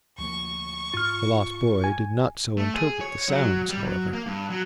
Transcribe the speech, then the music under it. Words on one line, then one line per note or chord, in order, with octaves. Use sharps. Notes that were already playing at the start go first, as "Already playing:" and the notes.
The lost boy did not so interpret the sounds, however.
D2 F3 A#3 C#6
G#2 F4 F6
G#5
A3
G#4
C#5
F#3
G3
F#3
A#3
G2
F#3